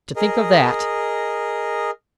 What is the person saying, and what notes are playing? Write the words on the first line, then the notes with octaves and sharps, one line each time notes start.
'To think of that!
G#4 A#4 D#5